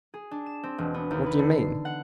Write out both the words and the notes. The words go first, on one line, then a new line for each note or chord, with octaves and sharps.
"What do you mean?"
G#4
D4
E7
C4
E1
B3
D#2
B4
D3
C7
F#5